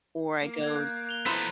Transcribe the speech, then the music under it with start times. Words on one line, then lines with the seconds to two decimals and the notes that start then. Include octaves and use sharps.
Or I go s
0.43 A#3
0.62 F#6 G#6
0.76 F#6 G6
1.07 F#6 F7 G7
1.26 F3 A3 B3 E4 C5 A#5 B5